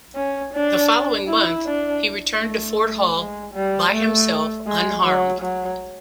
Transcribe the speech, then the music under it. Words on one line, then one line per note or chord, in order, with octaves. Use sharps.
The following month he returned to Fort Hall by himself unharmed.
C#4
D4
E4
D4
A3
A3
G#3
G3
A3
G#3
F#3
F#3